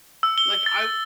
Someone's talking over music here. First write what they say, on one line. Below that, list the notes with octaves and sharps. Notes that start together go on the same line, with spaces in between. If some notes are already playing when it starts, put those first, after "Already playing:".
like I
E6
G7
A6